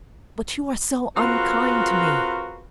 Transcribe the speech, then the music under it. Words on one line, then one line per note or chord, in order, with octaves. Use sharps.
"But you are so unkind to me!"
C4 F4 F#4 G#4 A#4 B4